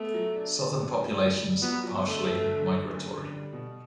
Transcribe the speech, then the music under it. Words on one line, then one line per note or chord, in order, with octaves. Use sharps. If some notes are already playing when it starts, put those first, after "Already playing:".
Southern populations are partially migratory.
Already playing: A3 B3
F#3
D4
D4
D3
E2
G3
G3
F#3 B3
F#3
D3 A3
G1
D3
D3
F#1
D3
G3
B2